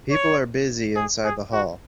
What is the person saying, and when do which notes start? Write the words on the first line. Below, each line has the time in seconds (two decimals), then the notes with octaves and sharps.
People are busy inside the hall.
0.10 C#5
0.96 G#4
1.24 G#4
1.53 F#4